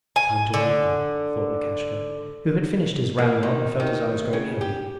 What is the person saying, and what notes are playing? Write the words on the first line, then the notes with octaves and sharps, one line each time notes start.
'Time to wake them,' thought Lukashka, who had finished his ramrod and felt his eyes growing heavy.
G#5
D3
A#3
D#3
D#3
C#3
G4